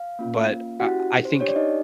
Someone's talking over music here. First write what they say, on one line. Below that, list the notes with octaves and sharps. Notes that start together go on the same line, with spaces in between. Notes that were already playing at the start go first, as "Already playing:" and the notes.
but, I I think,
Already playing: F5
A#3 C#4 F4
C#4 E4 F#4 G4 F#5
C5
D4 G4 C#5
D5
D#4 D#5